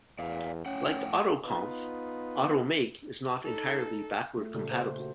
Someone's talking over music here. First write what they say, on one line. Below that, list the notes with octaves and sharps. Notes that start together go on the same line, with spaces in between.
Like Autoconf, Automake is not entirely backward compatible.
E2 D5 F5
A2 C#4 F#5 G5
B3 D#4 F4 B4
D#4 A4
A3 F4
A#2 C#3 G4 A4 D5
C5
F#4